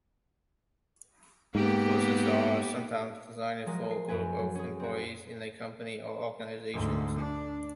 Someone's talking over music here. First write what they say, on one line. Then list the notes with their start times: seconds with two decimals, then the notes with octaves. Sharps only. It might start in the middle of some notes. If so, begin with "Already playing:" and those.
The courses are sometimes designed for groups of employees in a company or organizations.
1.55 G#2 A#3 B3 G4
3.66 F3 F#3 G#3 A#4
3.91 C7
4.08 F#2 B4 G#5
4.39 F#3
4.55 C#4 G#4
4.80 C4 F#4
6.73 D2 G#2
7.19 D4